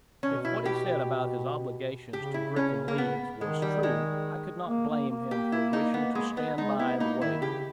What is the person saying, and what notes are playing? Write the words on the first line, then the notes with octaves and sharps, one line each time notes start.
If what he said about his obligations to Griffin Leeds was true, I could not blame him for wishing to stand by the waiter.
B2 C#4
E4
G4
C#3 G4
E4
C#4
A#3
B3
D#3 G#3
G3
G#3
A#3
A#3
A#3
G4
E4
D#4
B3
G#3
B3
G#3 D#4
B3 E4
A#3 D#4
D#3 E4
C#3 G4